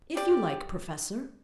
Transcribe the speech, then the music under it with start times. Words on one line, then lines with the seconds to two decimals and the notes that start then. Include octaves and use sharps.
"If you like, professor."
0.16 G4 D5